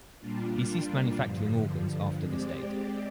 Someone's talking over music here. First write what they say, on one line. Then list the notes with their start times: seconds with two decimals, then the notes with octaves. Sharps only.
He ceased manufacturing organs after this date.
0.18 A#2 G3 A#3 D4 F4
1.18 G2 D3 F3
2.19 G#3 C4 G4 D5